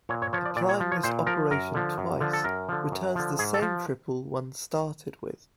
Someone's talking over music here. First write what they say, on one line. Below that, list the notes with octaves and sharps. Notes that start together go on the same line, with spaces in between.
Applying this operation twice returns the same triple one started with.
A#2 C#5
C#5
F3 C#5
D5
A#2 D5
C#5
F3
C#5
A#2 C5
F3 A#4
F#2 A#4
D3 F3
F#2
D3 F3
A4
F#2 A#4
D3 F3
F#2
D3 F3
G#2 G#4
A4
F3